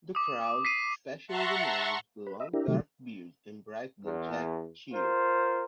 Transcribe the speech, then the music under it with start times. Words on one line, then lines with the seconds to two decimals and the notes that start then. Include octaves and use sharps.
The crowd, especially the man with the long dark beard and bright blue jacket, cheer.
0.15 D6 D#6
0.65 B6 C7 D#7
1.27 E5 F#5 A5 A#5 C6 C#6
2.27 B4
2.40 D#5 E5
2.53 D4 E4 G4 A#4
2.68 C3 D#3 F#3 G3 A3
4.03 E2
4.92 F4 A#4 C5